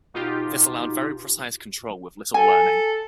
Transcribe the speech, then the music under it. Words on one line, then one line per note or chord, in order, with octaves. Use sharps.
This allowed very precise control with little learning.
B2 D#4 F4 G4
A4 G#5